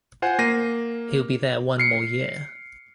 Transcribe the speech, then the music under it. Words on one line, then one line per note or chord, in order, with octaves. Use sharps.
He'll be there one more year.
F4 C5 F#5 G#5
A#3 A#6 C7 D#7
F6 C7 C#7